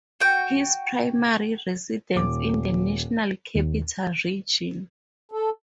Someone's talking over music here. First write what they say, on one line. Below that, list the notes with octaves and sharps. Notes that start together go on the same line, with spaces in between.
His primary residence is in the National Capital Region.
F#4 G5
D#1 D6
D#2
A4